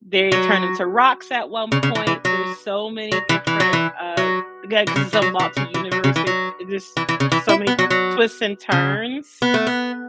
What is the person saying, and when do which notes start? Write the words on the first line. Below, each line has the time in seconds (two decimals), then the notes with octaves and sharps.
they turn into rocks at one point. There's so many different, uh again, 'cause it's a multi-universe, they they just so many twists and turns
0.32 F#3
1.72 C#3
1.83 C#3
1.95 E3
2.07 E3
2.25 F#3
3.12 F#3
3.29 E3
3.47 E3
3.60 F#3
3.73 E3
4.17 F#3
4.87 E3
4.96 C#3
5.13 E3
5.22 F#3
5.39 E3
5.57 C#3
5.74 E3
5.92 F#3
6.04 C#3
6.16 E3
6.27 F#3
6.97 E3
7.09 E3
7.20 C#3
7.32 E3
7.49 E4
7.67 B3
7.79 F#3
7.90 F#3
8.72 C#3
9.42 B3
9.54 A3
9.67 B3